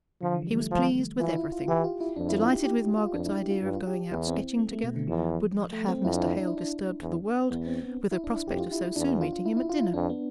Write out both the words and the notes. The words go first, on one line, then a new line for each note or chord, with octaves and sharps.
He was pleased with everything; delighted with Margaret's idea of going out sketching together; would not have Mr. Hale disturbed for the world, with the prospect of so soon meeting him at dinner.
D3 F3
E3
F3
G3
A3
F3
E3 F4
E4
F4
E3 G4
F4
E4
F2 D4
E4
F4
G4
G4
F4
F2 D4
E4
G4
F4
G2
F4
G4
E2 E4
C4
A3
A3
B2
D3
E2 F3
A3
C4
F2 E4
D4
E4
D4
E4
D4
E2
E2 B3
C4
B3
E4
D4
E4
F2 G4
F4
E4
E4
E2 D4
D4
F4
F4
E4
E4
F4
E4
F2 D4
B3